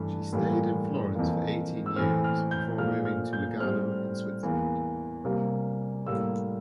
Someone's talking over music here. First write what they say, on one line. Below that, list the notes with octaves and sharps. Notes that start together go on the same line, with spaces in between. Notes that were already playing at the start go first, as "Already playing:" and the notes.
She stayed in Florence for eighteen years before moving to Lugano in Switzerland.
Already playing: G2 E3 A3
A2 E3 G3 A#3
F2 E3 A#3
E6
A2 E3 A3 C4 F6
F6
G6
A#2 F3 A3 F6
F6
G6
A2 G3 C4 F6
E2 E3 A#3
C3 G3 A#3
A2 G3 A#3 E6